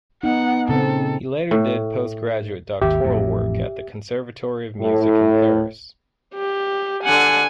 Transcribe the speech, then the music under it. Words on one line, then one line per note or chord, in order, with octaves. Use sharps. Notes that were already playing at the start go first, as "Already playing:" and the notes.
He later did post-graduate doctoral work at the Conservatory of Music in Paris.
B3 D#4 F#5
A#2 C#3 C4 A4
A2
G#1 D#2 G4 E5
A1 F2 A2
A2
G4
D3 F#5 G#5